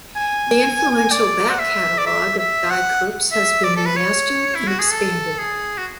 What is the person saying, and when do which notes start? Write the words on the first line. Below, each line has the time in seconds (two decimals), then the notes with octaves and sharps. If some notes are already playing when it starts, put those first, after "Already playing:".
The influential back-catalogue of Die Krupps has been remastered and expanded.
0.16 G#5
1.11 D5
1.50 F#5
1.59 E5
1.98 D5
2.07 E5
2.38 E5
2.70 F#5
3.32 E5
3.64 D5
3.76 A4
3.86 B4
3.96 C#5
4.55 E4
4.68 F#4
4.79 G#4
4.91 A4
5.38 G#4
5.78 F#4